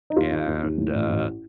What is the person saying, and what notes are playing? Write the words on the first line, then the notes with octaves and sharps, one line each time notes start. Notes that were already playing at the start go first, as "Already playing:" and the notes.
and, uh,
D#4
D#2 F4
D#2
D#2
D#2
A2
A1
A1